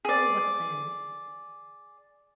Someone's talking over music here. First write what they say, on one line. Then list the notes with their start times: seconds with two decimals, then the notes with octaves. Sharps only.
Well, what then?
0.05 G#4 D5